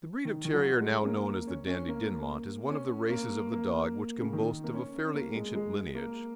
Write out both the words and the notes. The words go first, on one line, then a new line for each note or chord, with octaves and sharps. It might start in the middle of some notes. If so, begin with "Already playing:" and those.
The breed of terrier now known as the Dandie Dinmont is one of the races of the dog which can boast of a fairly ancient lineage.
D#3
D#3
F#3
G#3
C#4
A#3
C#4
C#4
A#3
C#4
A#3
A#3
C#3
D#3
A#3
C#4
C#4
A#3
G#3
G#3
A#3